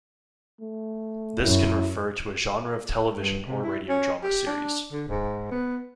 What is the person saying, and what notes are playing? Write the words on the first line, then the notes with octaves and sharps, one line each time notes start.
This can refer to a genre of television or radio drama series.
A3
F#2 E4
G2
C3
E4
C#4
G4
D4
D3
G#2
B3